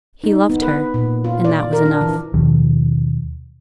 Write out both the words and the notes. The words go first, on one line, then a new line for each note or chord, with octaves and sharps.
He loved her, and that was enough.
D#4
B3
B4
A#2
F4
D5
A#4
D4
E3
D#2 B2 D#3 F3